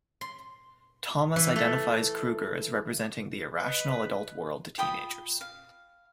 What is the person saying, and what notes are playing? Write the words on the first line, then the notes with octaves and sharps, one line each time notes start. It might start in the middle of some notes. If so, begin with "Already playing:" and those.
Thomas identifies Krueger as representing the irrational adult world to teenagers.
C6
E3
A3
B4 D#5
F4 G5 B5 D#6
F5